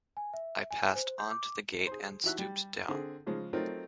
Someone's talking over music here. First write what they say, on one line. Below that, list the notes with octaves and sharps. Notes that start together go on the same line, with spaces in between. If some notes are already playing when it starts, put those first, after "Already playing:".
I passed on to the gate and stooped down.
G#5
E5
G#5
C5
G6
D6
G#4 C5
E3 F#4 E5 F#6
G3
D3 C4 G#4
C#3 F3 G#3
F#3 A3 C4 D#4 F4 A#4